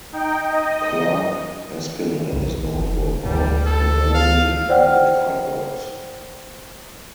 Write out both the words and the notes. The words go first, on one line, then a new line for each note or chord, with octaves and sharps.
Clark Espinal is known for both her gallery and public artworks.
D#4 G5
D#5
A#1
F1
D2 G3
A4
F5
C5 D5 F#5 G5 F6